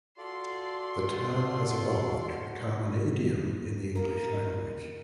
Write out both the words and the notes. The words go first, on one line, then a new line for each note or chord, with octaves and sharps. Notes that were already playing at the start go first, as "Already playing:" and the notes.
The term has evolved to become an idiom in the English language.
F4 F#4 A4 D5 C6
A#3 A#4 A#5